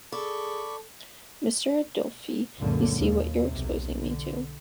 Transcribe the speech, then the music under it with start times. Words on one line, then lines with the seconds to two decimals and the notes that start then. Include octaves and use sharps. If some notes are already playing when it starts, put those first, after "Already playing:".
Mr. Adolphe, you see what you're exposing me to...
0.12 G#4 A4 D5 B5 C#6
2.59 C#2 F#2 A#2 D3 A#3
2.97 D#2
3.44 B1 C3
3.98 D3